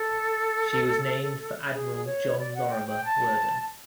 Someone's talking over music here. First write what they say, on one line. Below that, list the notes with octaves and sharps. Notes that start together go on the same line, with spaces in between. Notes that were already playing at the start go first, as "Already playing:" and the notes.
She was named for Admiral John Lorimer Worden.
Already playing: A4
G#4
C#5
D5
F#5
G5
G5
A5